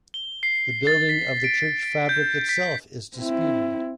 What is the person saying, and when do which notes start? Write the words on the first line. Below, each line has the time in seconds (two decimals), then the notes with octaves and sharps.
The building of the church fabric itself is disputed.
0.14 G7
0.43 C7
0.87 A6
1.09 B6
1.44 D7
2.09 G6
2.49 B6
3.17 C4 E4